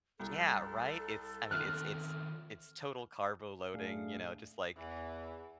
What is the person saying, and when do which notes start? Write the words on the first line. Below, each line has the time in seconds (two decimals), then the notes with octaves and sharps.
Yeah. Right? It's I mean, it's it's it's total carbo loading, you know, just like,
0.20 C2 A4
1.51 D#3 C4 F4 F6 F#6
3.74 A2 A3 D4 G#4 F5
4.76 E2 E3